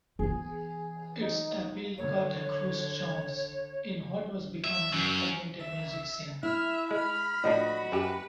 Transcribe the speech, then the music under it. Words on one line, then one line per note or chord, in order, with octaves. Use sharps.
Its appeal cut across genres, in what was becoming a fragmented music scene.
E3 B3 G#4
D#4
D3 C#5
E5
F#2
E5
E4 E5 F6
G#3 B5 F6
A2 F3 D4 F#4 D#5
F#2 G4 B4